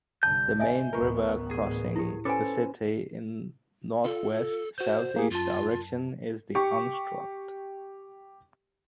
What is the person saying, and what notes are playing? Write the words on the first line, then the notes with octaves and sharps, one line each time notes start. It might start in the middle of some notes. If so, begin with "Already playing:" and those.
The main river crossing the city in northwest-southeast direction is the Unstrut.
C2 G2 D3 A5 G6
D#5 E5 G#5
A1 D2 B3 A#4 B4 C#6
G#4
E4 G4
C#4 A4 B4 C5 G#5 D6
F4 A4
F#4 C5 G6
A#3 G4 G#4
F#2 F4 A5
G4 C#6